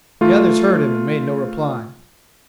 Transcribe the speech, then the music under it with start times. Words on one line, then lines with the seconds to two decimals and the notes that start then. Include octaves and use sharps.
The others heard him and made no reply.
0.21 A3 F4